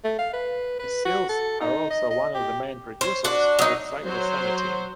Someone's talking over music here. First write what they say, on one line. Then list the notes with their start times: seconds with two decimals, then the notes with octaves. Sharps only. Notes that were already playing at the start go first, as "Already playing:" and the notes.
S cells are also one of the main producers of cyclosamatin.
0.04 A3
0.18 F5
0.33 B4
0.79 B4
1.05 F#4
1.29 A4
1.61 D#4
1.91 D#5
2.11 D#5
2.35 G4
3.01 C5 C#5
3.24 D4 F#4
3.59 F#3 D#4
4.05 F#3 C5